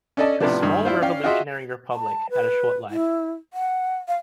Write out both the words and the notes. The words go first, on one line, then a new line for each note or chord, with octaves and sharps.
The small revolutionary republic had a short life.
C#4 D4 A4 D5 D#5 A5
A2 C3 F3 B3 D4
G2 D#3
D4 E4 F4 C5
C#4 D5 F5 G5
F4 F#4 G#4 D#5 E5 C6
A5
B4
E4
F#5
F5